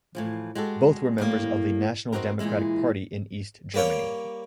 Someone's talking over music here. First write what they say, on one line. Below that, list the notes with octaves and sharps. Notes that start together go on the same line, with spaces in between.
Both were members of the National Democratic Party in East Germany.
A2 E3 F3
G#3 F#4 G4 A4
A2 G3 A#3
B3 C4 D#4 F#4 G4 A#4
A#2 E3 F#3 G#3 E4
G3 A#3 C#5 G5